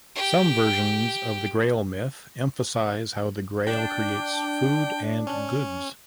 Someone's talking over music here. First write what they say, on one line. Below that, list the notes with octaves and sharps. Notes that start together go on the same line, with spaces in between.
Some versions of the Grail myth emphasize how the Grail creates food and goods.
G4 G5
D4 G5
C#4